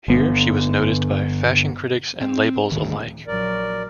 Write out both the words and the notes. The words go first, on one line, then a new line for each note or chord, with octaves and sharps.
Here, she was noticed by fashion critics and labels alike.
G1 B3
C4
D2 A2 D#3
A#1 F#3 A#4 D5